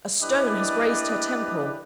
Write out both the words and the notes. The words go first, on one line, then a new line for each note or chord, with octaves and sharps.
A stone has grazed her temple.
D4 E4 G4 B4 D5 D#5